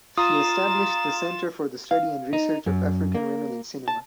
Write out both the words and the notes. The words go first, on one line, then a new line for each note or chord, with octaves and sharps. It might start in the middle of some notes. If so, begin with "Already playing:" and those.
She established the Centre for the Study and Research of African Women in Cinema.
F4 A#5 D#6 A6 E7
F5
D#4
F#2
A#3
A5